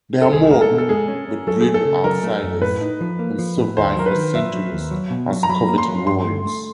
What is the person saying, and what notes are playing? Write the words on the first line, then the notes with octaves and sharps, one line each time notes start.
They are mortal, but breed with outsiders and survive for centuries as coveted warriors.
A4
C2 G#4
G#3 A#4
A4
B2
A4
G#3 G#4
C#4
C#4
F#3 A4
G#4
A3
A4
C#3
F#3 A#4
A3
F#2
A2 B4
D#4
F3
A#3
F3
A2
D#2 C5
F#3 A#4
B4
D#3
F#3 E5
F#3
D#2
F#3
B2
F#3
A#5
F#3 B5
A#3
C6
F#3
G2 C6
A3
A3